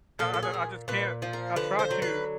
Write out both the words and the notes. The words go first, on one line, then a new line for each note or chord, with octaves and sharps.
I I I just can't I try to
A#2 A4
A4
G#4
A#2
A#2 B4
F3
A#4
D3 B4
C5
F#3
B4